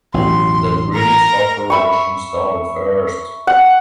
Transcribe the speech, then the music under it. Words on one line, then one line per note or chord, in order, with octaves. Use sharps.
The British operation started first.
A1 B2 F#3 C6
A#4 A#5
E5 B5 C#6
F#5